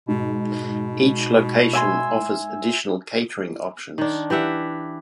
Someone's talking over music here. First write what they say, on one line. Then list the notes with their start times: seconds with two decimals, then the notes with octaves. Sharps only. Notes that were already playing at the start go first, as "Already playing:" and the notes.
Each location offers additional catering options.
0.08 G#2 B2
1.73 E5 G#5 C6
3.98 D#3 D4
4.30 E3 G4 E5 F#5